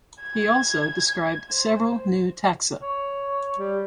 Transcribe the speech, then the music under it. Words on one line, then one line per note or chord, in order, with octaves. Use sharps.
He also described several new taxa.
G#6
C5
C#5
G3